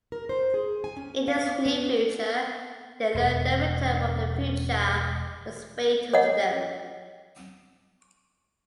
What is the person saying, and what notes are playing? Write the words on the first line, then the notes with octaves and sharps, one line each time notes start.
In this near-future, they learn their return from the future was fatal to them.
A#4
C5
G#4
G#5
C#4
F5
B3
E1 E2
C#5 D#5 F#5